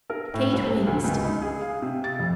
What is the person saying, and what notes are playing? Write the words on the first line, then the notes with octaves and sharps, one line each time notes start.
Kate winced.
A#4
A2
C2
D2
C#2
D#4
G#4
F5
C3
A6
F2